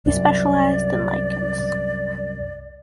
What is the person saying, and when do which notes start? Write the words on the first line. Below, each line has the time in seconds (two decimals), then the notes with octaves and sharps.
He specialized in lichens.
0.06 C2 F#2 D5